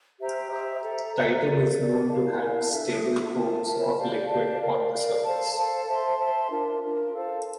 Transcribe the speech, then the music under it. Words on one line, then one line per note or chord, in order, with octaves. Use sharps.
Titan is known to have stable pools of liquid on the surface.
G4 C5 E5 A#5
G4 C5 E5 A#5
A4 E5 A#5
A4 E5 A#5
G4 A#4 D5
G4 A#4 D5
E4 A#4 F5 A5
E4 A#4 F5 A5
D4 A4 E5
D4 A4 E5
F4 A#4 E5 A5
F4 A#4 E5 A5
G4 D5 F5 A5
G4 D5 F5 A5
A#4 D5 F5
A#4 D5 F5
A4 C5 F5 A5
A4 C5 F5 A5
C5 E5 A5 C6
C5 E5 A5 C6
D4 F4 A#4
D4 F4 A#4
A4 C5 F5 A5